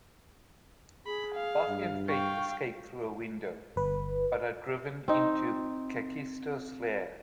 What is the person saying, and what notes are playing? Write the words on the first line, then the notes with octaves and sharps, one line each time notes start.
Buffy and Faith escape through a window, but are driven into Kakistos lair.
G#4 B5
F5
G2
F5 G5 C#6
G1 B4
C4 D#4